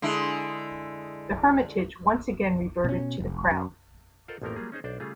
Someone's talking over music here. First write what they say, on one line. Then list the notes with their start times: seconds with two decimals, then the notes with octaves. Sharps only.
The Hermitage once again reverted to the Crown.
0.02 D3 G#3 E4
2.84 B2 C#4
3.20 F1
3.51 F#2
4.28 F4 A4 A#4 C5 D#5 F#5
4.42 A1 F2 F3 A3 A#3 A#4
4.56 F#3 G3 A#3 F4 G#4
4.72 C#4 D#4 G#4 C5
4.84 B1 D4 C5 D5
5.00 C#3 G3 A3 F4 G#4